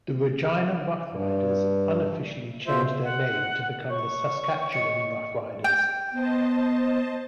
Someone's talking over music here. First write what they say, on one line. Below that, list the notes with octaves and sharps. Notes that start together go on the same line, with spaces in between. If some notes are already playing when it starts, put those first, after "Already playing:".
The Regina Roughriders unofficially changed their name to become the Saskatchewan Roughriders.
G2
B2 F4 C5 E5
F#5
C#5 C#6
D#5 C#7
G5
B3 C5 D#5 A5